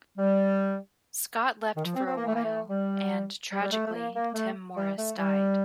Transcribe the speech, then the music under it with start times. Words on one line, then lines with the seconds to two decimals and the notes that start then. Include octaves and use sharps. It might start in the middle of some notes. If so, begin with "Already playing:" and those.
Scott left for a while, and, tragically, Tim Morris died.
0.18 G3
1.76 D#3
1.85 F3
1.96 C4
2.06 C4
2.17 A#3
2.26 A3
2.35 A#3
2.44 A3
2.68 G3
3.52 G3
3.62 G3
3.72 A3
3.86 A3
3.93 A#3
4.14 A#3
4.34 A3
4.76 G3
4.98 A3
5.18 G3